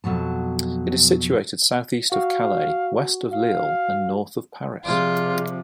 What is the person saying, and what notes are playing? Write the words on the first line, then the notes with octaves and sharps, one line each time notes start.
It is situated south-east of Calais, west of Lille, and north of Paris.
F2 B2 F#3 A5
F#4 F5
F5
C3 F3 F4 G#4 D5